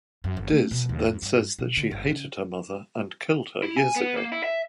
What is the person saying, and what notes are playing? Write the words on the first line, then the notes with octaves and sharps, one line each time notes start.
Diz then says that she hated her mother and killed her years ago.
F#2
G1
A3
B2
D#2
F2
G2
B2
D3
G1
C#3
E4
G#5
B3
A#3
E4
E5